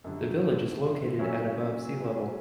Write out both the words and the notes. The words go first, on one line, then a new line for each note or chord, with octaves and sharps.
The village is located at above sea level.
F#2 D3 G3
A#2 F#3 C#4 E4